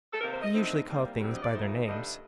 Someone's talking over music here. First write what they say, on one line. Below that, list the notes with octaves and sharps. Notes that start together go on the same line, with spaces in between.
"I usually call things by their names."
A4
C3 D#3 A#3 A#4
C5
D#5
D3 A3 C4 D#4
C3 G3 A#3
D2 D3 G3 C4
D#5
D5
F2 D#3 A3 D#4 C5
G2 D3 A3 D4 D#5